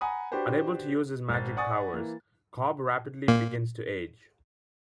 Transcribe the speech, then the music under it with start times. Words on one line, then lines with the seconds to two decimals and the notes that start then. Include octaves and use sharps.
Unable to use his magic powers, Cob rapidly begins to age.
0.01 F#5 G#5 A#5 B5 D#6
0.31 D4 F#4 G4 B4 C5 G5
1.29 G#1 A6
1.57 D5 F#5 G#5 C#6 D#6 A6
1.93 E3 A#3
3.28 A#2 A#3